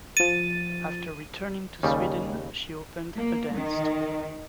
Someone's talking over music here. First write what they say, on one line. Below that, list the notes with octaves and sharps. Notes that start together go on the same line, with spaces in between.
After returning to Sweden, she opened a dance school.
F3 A6 D#7
D#2 C#3 G3
A#3
D#3